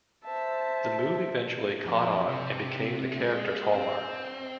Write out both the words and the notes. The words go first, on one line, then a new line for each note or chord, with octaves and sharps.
The move eventually caught on and became the character's hallmark.
C5 E5 A5
F2
C3
G#3
C4